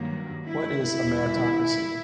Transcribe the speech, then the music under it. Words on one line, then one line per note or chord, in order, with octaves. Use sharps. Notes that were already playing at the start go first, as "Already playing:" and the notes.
What is a meritocracy?
Already playing: G2 D#3 F#3 A#3
E4
D#2 D#3 G3